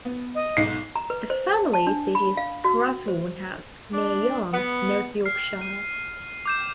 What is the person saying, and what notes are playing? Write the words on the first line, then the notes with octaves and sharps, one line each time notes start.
The family seat is Crathorne House, near Yarm, North Yorkshire.
B3
D#5
B1 G#2 C7
A#5
B4
C5
A5
D4
B5
F5
F#4
C5
D4
B3
F6 C7
D#7
D6 G6 E7